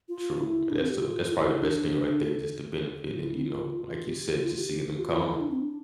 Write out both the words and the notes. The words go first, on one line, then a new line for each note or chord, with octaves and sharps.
true. That's, uh that's probably the best thing right there, just the benefit and, you know, like you said, just seeing them calm.
F4
E4
D4
C4
G4
F4
F4
E4
D4
A4
F4
E4
C4
F4
F4
G4
F4
E4
F4
G4
G4
F4
E4
E4
D4
C4
D4